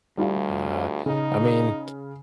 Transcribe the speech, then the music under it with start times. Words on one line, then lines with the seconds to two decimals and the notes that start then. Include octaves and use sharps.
Ah, I mean,
0.18 D2 G3 F4
1.06 C#3 D#4